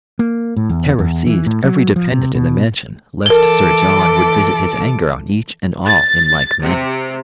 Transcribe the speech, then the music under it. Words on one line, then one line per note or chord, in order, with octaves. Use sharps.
Terror seized every dependent in the mansion lest Sir John would visit his anger on each and all in like manner.
A#3
A2
E2
E2
E3
A2
F#3
F3
C3
B2
E3 A4 A#4 D6 G7
A6
C3